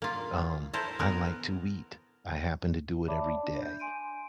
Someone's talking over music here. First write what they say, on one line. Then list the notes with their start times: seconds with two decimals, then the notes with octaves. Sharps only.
um, I like to eat. I happen to do it every day,
0.02 A#3 F4
0.73 E4 A4 A#4 C5
0.99 B3 A#4
3.08 C#5 D5 E5 A5 B5 D6
3.43 D4
3.62 G6
3.79 G#5 C6 D7 D#7